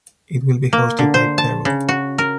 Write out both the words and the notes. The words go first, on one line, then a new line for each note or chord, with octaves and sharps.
It will be hosted by Peru.
A#3
D3
C5
A5
C#3
F#4
A#4